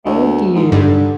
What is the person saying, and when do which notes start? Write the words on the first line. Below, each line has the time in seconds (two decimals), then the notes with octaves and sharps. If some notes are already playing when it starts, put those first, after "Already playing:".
Thank you.
0.05 D2
0.56 G#2
0.72 G2 D3